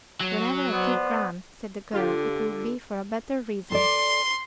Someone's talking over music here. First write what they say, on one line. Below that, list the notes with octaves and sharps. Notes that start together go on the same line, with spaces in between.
"Whenever I feel grand," said the girl, "it will be for a better reason."
F#3
B3 C5 D5
D3 F4 G4
A4 D5 C6